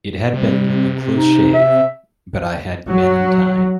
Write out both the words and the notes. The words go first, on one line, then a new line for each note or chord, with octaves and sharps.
It had been a close shave, but I had been in time.
C3 G3
D#4
E5
F#3